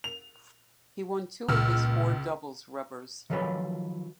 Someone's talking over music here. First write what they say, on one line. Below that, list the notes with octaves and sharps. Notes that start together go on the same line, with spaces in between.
He won two of his four doubles rubbers.
F7
C#2 A#2 E6 F6
D#3 F3 F#3 A4 B4 C#5